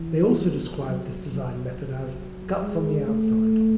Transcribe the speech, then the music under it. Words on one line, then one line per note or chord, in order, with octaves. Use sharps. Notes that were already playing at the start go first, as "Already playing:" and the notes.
They also described this design method as "guts on the outside".
Already playing: E3
F#3
F#3
F#3
G#3
A3